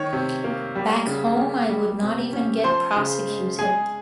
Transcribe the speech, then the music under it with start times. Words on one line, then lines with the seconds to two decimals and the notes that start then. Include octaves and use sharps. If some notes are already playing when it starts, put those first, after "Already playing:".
Back home I would not even get prosecuted.
Already playing: D#3 C#5
0.13 C3
0.44 A#3
0.75 G3
1.07 C#3
1.39 A#3
1.70 G3
2.02 C3
2.33 C#4
2.64 F3 C5 C6
2.96 C#3
3.28 G#3
3.59 G#3 G#4 G#5